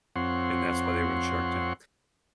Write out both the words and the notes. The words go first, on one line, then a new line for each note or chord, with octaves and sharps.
and that's why they were in Shark Tank,
F2 C4 C#5 F#5 C6